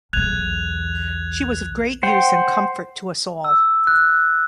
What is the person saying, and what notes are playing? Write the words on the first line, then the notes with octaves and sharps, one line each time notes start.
She was of great use and comfort to us all.
B1 E2 F#6 G#6 F7
C5 F#5 G5
E6
F#6